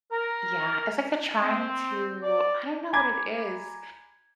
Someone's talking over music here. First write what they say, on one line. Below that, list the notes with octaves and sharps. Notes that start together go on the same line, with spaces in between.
Yeah, it's like they're trying to I don't know what it is.
A#4
C4
D5
G#5 A#5 B5 D6 G#6